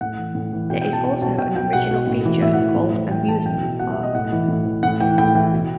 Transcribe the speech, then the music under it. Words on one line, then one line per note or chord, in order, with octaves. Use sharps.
There is also an original feature called "Amusement Park".
A2 F#5
E3
A2
E3
B2 G5
G5
B2
A5
B2 G5
B2 A5
B2 G5
B2 G5
B2 F#5
B2
A2
E3
A2 E5
F#5
E3
A2
E3
A2 G5
E3 A5
B2 G5
B2
B2 F#5
E5
B2
D#5
A2 F#5
E3
A2
E3
A2 F#5
E3 G5
A2 G5
E3
B2